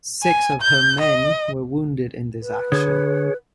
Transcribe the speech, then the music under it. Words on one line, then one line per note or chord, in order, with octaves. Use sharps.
Six of her men were wounded in this action.
G#5
G6
D#5
B4
D3 G#4 C#5